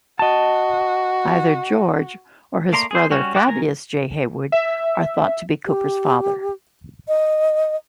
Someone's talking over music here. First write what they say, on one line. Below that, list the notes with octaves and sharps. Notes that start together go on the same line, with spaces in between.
Either George or his brother Fabius J. Haywood are thought to be Cooper's father.
F#4 D#5 A5
A3 A#3 D5 A#5 C6
G#4 C5
G3 C#4 F#4
F#4 F#5 D6 F#6
D#3 A#4 G#5 A#5
E5
G4
D#5